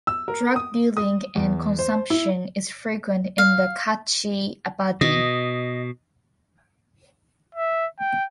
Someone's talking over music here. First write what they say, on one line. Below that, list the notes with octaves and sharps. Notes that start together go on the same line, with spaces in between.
Drug dealing and consumption is frequent in the katchi abadi.
E6
A#4
D#6
D#6
E2
C5
E4
F5
B2 D#5
E5
G5